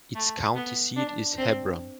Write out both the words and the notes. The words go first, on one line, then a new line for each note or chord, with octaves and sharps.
Its county seat is Hebron.
A3
B3
D4
C4